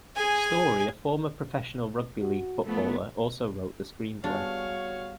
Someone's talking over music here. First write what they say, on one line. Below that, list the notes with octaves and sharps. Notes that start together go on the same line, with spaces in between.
Storey, a former professional rugby league footballer, also wrote the screenplay.
G#4 G#5
F#4
F3 A3 B3
G3 B3 D4 F#4 G#4 C#5 F5